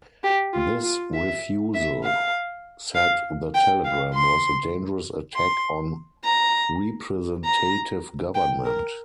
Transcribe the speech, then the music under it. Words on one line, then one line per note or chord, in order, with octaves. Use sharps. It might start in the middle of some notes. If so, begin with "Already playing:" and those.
This refusal, said the telegram, was a dangerous attack on representative government.
G4
F4
F4
E5
E5
F5
F5
G5
F5
C6
C6
A#5
A#5
G5
A#4